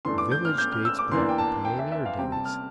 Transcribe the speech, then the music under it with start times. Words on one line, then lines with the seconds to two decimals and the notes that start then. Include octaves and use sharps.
The village dates back to pioneer days.
0.05 G2 E3 A3 D4 C6
0.18 D6
0.32 G6
0.45 F6
0.58 G6
0.72 F6
0.85 E6
0.99 D6
1.12 E2 E3 A#3 D4 C6
1.29 G5
1.38 A5
1.65 G5
1.79 E5
1.92 E5
2.06 F5
2.18 C3 G3 C4 G5
2.32 A5
2.45 F6